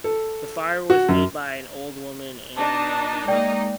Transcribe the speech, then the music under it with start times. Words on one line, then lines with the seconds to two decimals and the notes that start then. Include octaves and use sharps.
The fire was made by an old woman and an old man.
0.04 A4
0.90 F#4
1.09 F#2
2.56 D4 D#4 A5
3.28 G#3 A#3 D#4 D5 G5